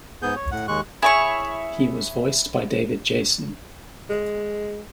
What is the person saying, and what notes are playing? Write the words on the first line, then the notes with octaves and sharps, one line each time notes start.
He was voiced by David Jason.
G#2 B3 G#4 G#5 G6
C#5
A2 F#5
D#2 G#3 C#6 F#6
E4 G#4 C#5 C#6
G#3